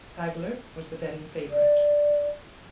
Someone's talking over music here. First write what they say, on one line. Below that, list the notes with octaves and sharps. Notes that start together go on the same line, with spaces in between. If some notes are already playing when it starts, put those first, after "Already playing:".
Hagler was the betting favorite.
D5